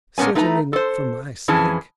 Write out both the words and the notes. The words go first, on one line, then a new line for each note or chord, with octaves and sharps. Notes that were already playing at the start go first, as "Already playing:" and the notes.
"Certainly not for my sake."
A#2 A#3 B3 C#4 G#5
A3 D#4 B4 G#5 A#5
A4 C5
F2 E3 C#4 G#4 G#5 A5